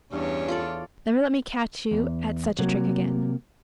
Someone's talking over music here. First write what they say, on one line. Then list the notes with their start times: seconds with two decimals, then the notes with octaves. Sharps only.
Never let me catch you at such a trick again.
0.12 E2 G2 C#4 D4 C#5
0.48 F4 A4 D5
1.91 E2
2.59 C3 F#3 A#3